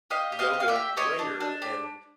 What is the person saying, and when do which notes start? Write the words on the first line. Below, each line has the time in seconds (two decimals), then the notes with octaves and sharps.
yoga later and
0.10 G4 D#5 F5
0.32 G4
0.39 D#5 F5
0.53 G4
0.60 F5
0.68 D5 E5
0.76 G4
0.97 G4 C#5 D#5
1.19 D4
1.40 D4
1.62 G4